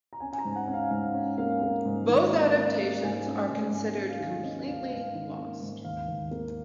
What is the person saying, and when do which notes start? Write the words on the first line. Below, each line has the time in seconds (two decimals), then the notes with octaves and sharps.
Both adaptations are considered completely lost.
0.13 A#5
0.20 C#4 G#5
0.33 G#5
0.38 A#5
0.45 G#2
0.56 F#5
0.67 C#4
0.74 F5
0.91 G#2 F5
1.14 C#4
1.38 A#3 F5
1.62 A#3
1.86 G#2
2.09 D#3
2.33 A#3
2.56 C#4
2.80 A#3
3.03 G#2 G#5
3.27 C#4
3.50 G#2
3.73 G#2 G#5
3.97 A#3
4.09 F5
4.20 D#3
4.44 C#4 D#5
4.67 C#4 F5
4.90 G#2 F5
5.14 D#3 F5
5.38 A#3
5.62 G#2
5.84 D#2 F5
6.08 D#2
6.31 A#3